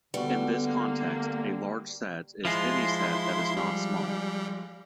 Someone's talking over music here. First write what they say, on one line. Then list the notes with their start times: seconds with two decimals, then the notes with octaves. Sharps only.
In this context, a large set is any set that is not small.
0.14 D3 G3 B3 F#4
0.64 A#3
2.45 F3 G#3 E4 C6
3.57 G3